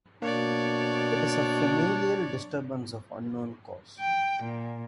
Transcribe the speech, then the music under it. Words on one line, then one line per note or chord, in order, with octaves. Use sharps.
It is a familial disturbance of unknown cause.
B2 A#3 D4 C#5 D5
G5
A#2